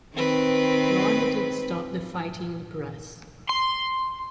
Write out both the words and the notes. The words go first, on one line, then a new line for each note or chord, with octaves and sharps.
Nor did it stop the fighting in the press.
D#3 C4 B4
C6